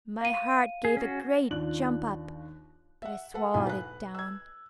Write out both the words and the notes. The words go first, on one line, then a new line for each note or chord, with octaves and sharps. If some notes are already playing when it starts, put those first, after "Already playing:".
My heart gave a great jump up, but I swallowed it down.
F5 D#7
G#4
C#4 F#4
D#2 D4 F4 F#6 F#7
E5 F#5
A4 B4 F#5
B1 E2 B2 G#5
B4 F#6
E6 G#6